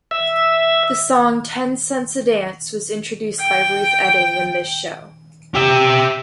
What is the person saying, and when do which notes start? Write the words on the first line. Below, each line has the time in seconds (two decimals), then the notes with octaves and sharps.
The song "Ten Cents a Dance" was introduced by Ruth Etting in this show.
0.11 E5
3.41 G5
5.55 G4 E5